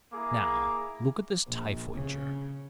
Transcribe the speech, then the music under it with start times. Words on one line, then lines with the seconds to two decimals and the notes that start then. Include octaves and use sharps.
Now look at this typhoid germ.
0.13 A#3 E4 G#4 A#5 D6
1.47 A#1
1.94 C#3